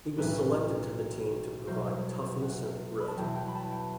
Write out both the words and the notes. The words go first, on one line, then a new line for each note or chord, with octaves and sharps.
He was selected to the team to provide toughness and grit.
B1 A2 E3 B4
E2 B2 F#3 C5
F#5
B5
A5
E2 B2 F#3 G5
G5
B5
A5
G5